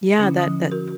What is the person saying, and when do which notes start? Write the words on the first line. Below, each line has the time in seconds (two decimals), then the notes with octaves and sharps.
Yeah, that that p
0.19 D3 C#4 E4
0.38 F3 D#6
0.72 F#4 A#4